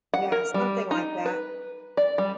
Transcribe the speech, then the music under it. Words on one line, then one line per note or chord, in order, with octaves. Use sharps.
Yeah, something like that.
F#5
A#4
G3
D#4
B4
D5
G3